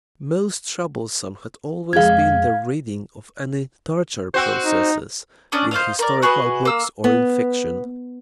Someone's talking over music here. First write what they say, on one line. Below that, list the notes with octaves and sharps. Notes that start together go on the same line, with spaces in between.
Most troublesome had always been the reading of any torture processes in historical books or in fiction.
F2 G#3 F5 G#6
C4 F#4 C5
D#4
C#4 D4 D5 D#6
C5 D5 D#5 F5
A#4 D5
F#4 G#4 B4 D#5
A#3 E6
B3